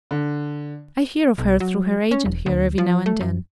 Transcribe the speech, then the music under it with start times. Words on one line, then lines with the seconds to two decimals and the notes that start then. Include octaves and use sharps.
I hear of her through her agent here, every now and then.
0.11 D3
1.38 B1
1.60 F#3
2.11 C#4
2.26 E1
2.46 D2
2.78 F3
3.06 A3
3.21 F#2